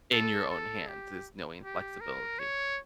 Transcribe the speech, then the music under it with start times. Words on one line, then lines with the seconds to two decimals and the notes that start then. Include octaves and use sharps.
in your own hands is knowing flexibility.
0.12 A4
0.50 A4
0.88 G4
1.63 G4
2.01 A#4
2.39 C#5